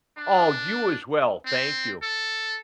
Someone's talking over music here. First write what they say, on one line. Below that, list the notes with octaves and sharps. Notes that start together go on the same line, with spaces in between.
Oh, you as well. Thank you.
D4
C4
A4